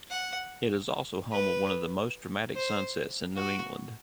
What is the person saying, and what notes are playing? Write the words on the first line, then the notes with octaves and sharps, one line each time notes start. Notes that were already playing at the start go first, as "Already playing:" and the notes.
It is also home of one of the most dramatic sunsets in New England.
F#5
B4
C5
F#4